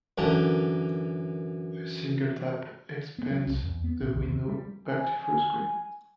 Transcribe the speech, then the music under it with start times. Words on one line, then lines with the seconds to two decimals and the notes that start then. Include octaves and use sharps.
A single tap expands the window back to full screen.
0.18 F#2 D3 E3 A#4 A5
3.18 B3
3.31 F#3
3.46 C2
3.63 E2
3.84 B3
4.01 A#1
4.14 D#2
4.29 C3
4.48 G3
4.87 G#5